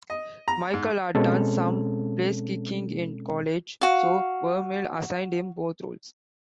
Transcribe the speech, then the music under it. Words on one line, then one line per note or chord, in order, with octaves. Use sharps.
Michel had done some placekicking in college, so Vermeil assigned him both roles.
D#5
A#5
G#2
B2 G#3 C4 C#4 A4
F#4 F5